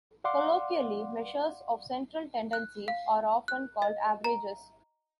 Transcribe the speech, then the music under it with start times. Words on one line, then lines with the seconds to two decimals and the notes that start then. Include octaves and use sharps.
Colloquially, measures of central tendency are often called averages.
0.24 D5 F5 F#5 C6 D6
2.53 F#6
2.88 F5
3.48 F#6
3.82 D#5
4.24 A#5